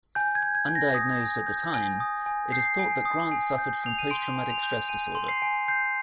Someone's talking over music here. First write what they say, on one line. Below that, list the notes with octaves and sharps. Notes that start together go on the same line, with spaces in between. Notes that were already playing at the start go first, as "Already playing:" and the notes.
Undiagnosed at the time, it is thought that Grant suffered from post-traumatic stress disorder.
G#5 G6
G#6
G6
G#6
G#5
A#6
D#6
G#5
G6
G#5
D#6
G#5
G6 C7
G#5
D#6
G#5
G6
G#5 F7
D#7
C6 D7
G#5
F7
G6
G#5 D#7
C6
C7
G#5
G6 C7